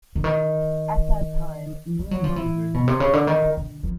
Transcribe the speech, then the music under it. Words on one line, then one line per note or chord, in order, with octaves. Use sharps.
At that time Neal Moser retired.
D3
D#3
G3
F#3
F3
E3
B2
C3
C#3
D3
D#3
D3
F3